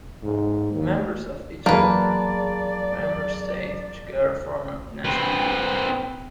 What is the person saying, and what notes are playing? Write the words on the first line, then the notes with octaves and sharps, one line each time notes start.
Members of each member state together form a "national group".
G#2
D#2
E2 F#3 A#3 G#4 B4 D5 A5
C4 B4